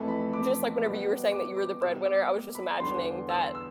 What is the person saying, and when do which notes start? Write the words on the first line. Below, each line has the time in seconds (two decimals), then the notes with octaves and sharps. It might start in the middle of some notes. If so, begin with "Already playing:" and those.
just, like, whenever you were saying that you were the breadwinner, I was just imagining that,
Already playing: F2 E3 A3 A5
0.08 B5
0.33 D6
0.82 B2 G3
1.32 D6
1.57 D6
1.81 B2 G3 E6
2.06 D6
2.55 B5
2.80 E2 D3 G3 C6
3.29 E6
3.55 E6